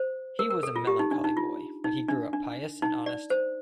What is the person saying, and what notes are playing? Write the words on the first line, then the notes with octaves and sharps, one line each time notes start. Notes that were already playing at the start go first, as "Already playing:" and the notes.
He was a melancholy boy, but he grew up pious and honest.
Already playing: C5
A#4
A#4
A4
F4
G4
D#4
D4
D#4
F4
D#4
D4
D4
D#4
D5
C5